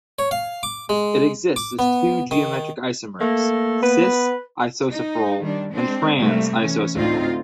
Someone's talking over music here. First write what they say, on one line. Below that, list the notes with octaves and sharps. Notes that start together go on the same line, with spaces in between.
It exists as two geometric isomers, "cis"-isosafrole and "trans"-isosafrole.
C#5
F5
D6
G#3
D6
B3
D#3
A3 A#3
B3 B4
D#4
D#3 G3 D4
G#3 C4 D4
C3 G3 A3 A#3
E3 C#4
D2 A2 C4 D#4 F4 F5